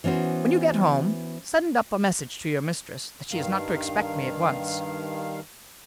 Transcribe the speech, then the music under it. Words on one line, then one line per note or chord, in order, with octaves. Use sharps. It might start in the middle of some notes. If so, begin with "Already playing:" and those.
When you get home, send up a message to your mistress that she is not to expect me at once.
E3 B3 C#4 F#4 C5
G2 D#3 F5